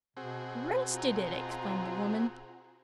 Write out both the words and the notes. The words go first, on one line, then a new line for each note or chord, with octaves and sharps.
'Roasted it!' explained the woman.
B2 C4 F#4 G#4
F4 A#5